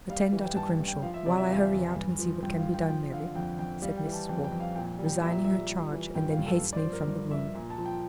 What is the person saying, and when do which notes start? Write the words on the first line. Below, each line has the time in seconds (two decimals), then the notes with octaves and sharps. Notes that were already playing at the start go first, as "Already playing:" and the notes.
"Attend Dr. Grimshaw, while I hurry out and see what can be done, Mary," said Mrs. Waugh, resigning her charge, and then hastening from the room.
0.10 G3 F5
0.32 E3
0.44 G5
0.56 G2 A5
0.71 A5
0.80 G2
0.88 G5
1.02 F3 F5
1.14 E5
1.26 C3 D5
1.37 E5
1.49 E2 F5
1.72 E2
1.96 G2
2.19 F3
2.42 G2 G5
2.58 F5
2.65 F3
2.74 G5
2.88 F3 G5
3.12 D3 F5
3.35 F2 G5
3.59 F2 G5
3.82 G3 F5
3.97 G5
4.06 E3
4.13 A5
4.29 F2 G5
4.44 G5
4.52 F2
4.60 F5
4.75 A#2 G5
4.98 G3
5.06 G5
5.22 A#2 E5
5.45 G3 E5
5.68 G3
5.92 E3
6.15 G2 G5
6.31 F5
6.39 G2
6.46 A4
6.61 G2
6.73 D5
6.77 C5
6.85 F3
6.93 A#4
7.08 G2 D5
7.31 F3 E5
7.54 A#2
7.70 A5
7.78 F3
7.86 G5